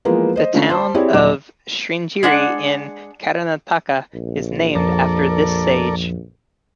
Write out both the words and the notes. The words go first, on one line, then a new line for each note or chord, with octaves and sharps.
The town of Sringeri in Karnataka is named after this sage.
E3 F3 G#3 A#3 B3 F4
C5 D#5
D3 A3 C#4 D4 F4
C5 A5 C6
C4 E4 G4 G#4 C#5 D5
D#1 F#3 D#5 D6 E7
G#3 D4 F#5
A#1
F2 F3 A4 A#4 D5